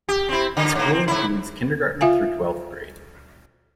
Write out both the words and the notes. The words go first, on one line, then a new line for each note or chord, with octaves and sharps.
The school includes kindergarten through twelfth grade.
G4
C4 E4
D3
G#2 A#3
C4
G#2 E4
F4 E5 F5 G#5